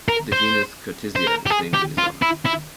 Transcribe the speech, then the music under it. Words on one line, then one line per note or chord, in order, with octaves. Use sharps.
The genus "Curtisia" is named in his honour.
A#4
C5
C5
A#4
G4
G#4
G4
F4
E4
E4